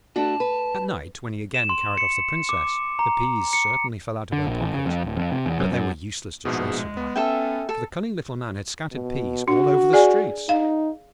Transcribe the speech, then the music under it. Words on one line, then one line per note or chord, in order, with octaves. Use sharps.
At night, when he again carried off the Princess, the peas certainly fell out of her pocket, but they were useless to trace her by, for the cunning Little Man had scattered peas all over the streets.
A3 D4 F#4 A5
B4
E7
C6
C#7
D6
A#5
C#7
D3
A#1
A1
C#3
F2
D1
F2
C3
E2
F#2
F#2
A#1 G#2 B2 G#4
G#3
B3
C#4 A4 E5 G5
A4
B2
D4 F#4
G#4 D5 G#5
D#4 F5